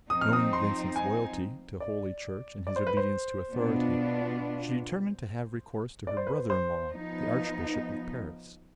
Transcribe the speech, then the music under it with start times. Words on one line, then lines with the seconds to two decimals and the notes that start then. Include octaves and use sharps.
Knowing Vincent's loyalty to Holy Church and his obedience to authority, she determined to have recourse to her brother-in-law, the Archbishop of Paris.
0.10 F3 C4 D#4 D#6
0.21 F6
0.33 D#6
0.53 C6
0.96 G#5
1.80 D5
2.67 D5
2.76 C5
2.87 B4
2.97 C5
3.52 B2 B3 D4 F4
6.07 D5
6.17 C5
6.27 B4
6.36 C5
6.50 C5
6.92 F3 B3 D#4